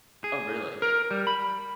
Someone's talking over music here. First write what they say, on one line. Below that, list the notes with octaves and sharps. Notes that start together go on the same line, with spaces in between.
Oh, really?
G#4
A#4
G3
B5